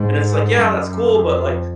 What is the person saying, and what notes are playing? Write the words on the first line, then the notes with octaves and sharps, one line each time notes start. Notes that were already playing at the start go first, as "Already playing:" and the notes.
And it's like, yeah, that's cool, but like,
Already playing: G#2
F#2
F2